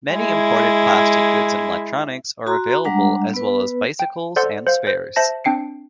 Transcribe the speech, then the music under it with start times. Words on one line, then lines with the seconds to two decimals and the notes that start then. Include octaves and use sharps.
Many imported plastic goods and electronics are available as well as bicycles and spares.
0.14 G#3 E4
2.47 F#4 A#5 C6
2.85 G3 G#3 D4 F#5 A#5
3.34 B3 B4
3.99 G5
4.36 A4 C5 D5 F#5 C6 E6
4.67 C5 F5
4.87 C5
5.16 C5 E5 A5 A#6
5.44 C4 D4 G5 C7 C#7